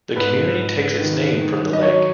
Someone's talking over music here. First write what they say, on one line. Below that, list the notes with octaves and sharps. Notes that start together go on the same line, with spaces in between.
The community takes its name from the lake.
G#2 B4
G#2
D#3
D#3
D#5
F#3 C#5